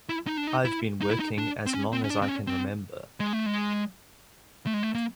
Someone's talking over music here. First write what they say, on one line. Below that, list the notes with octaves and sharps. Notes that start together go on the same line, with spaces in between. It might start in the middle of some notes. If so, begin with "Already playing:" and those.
I've been working as long as I can remember.
E4
D#4
D4
D#4
E4
D#4
E4
D#4
D4
C4
C#4
C4
C#4
D4
C4
C#4
C4
G#3
A3
G#3
A3
G#3
A3
A#3